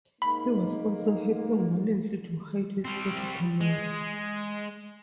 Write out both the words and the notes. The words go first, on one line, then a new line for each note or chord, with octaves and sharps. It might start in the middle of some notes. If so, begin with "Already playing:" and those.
He was also helping Walenty to hide his photo camera.
G#2 A#3 D#4 B5
G3 C4
G#3